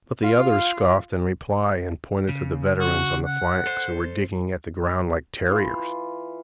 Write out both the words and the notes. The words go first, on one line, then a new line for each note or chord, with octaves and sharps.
But the others scoffed in reply, and pointed to the veterans on the flanks who were digging at the ground like terriers.
F4 F5
C#3
F#4
F#5
A4 C5
E3 F4